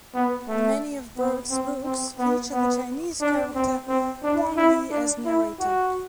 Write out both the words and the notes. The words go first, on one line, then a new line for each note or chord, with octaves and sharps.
Many of Burke's books feature the Chinese character Quong Lee as narrator.
B3
A3
B3
C4
C4
B3
B3
D4
C4
C4
D4
E4
D4
E4
F#4